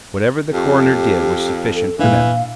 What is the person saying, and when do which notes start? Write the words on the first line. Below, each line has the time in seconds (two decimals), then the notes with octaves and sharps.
Whatever the coroner did was sufficient for them.
0.52 F2 G4
1.75 A4
1.99 A#2 E3 D4 F5